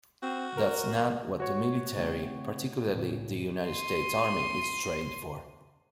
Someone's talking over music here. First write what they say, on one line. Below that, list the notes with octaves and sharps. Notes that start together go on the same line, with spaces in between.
That's not what the military, particularly the United States Army, is trained for.
C4 F#4
A#4
A#3
F#4 C#5 C#6
C#3 A3 C4
A2 C#3
C6 D#7